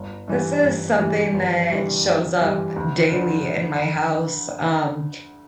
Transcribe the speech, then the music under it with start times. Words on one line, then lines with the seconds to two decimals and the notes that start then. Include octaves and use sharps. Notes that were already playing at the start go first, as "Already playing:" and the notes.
This is something that shows up, eh, daily in my house. Um,
Already playing: G1
0.28 G2 E3 G3
0.63 G1
0.98 G2 E3 G3
1.34 G1
1.70 G2 E3 G3
2.04 G1
2.41 G2 E3 G3
2.76 D2
3.12 D3 F3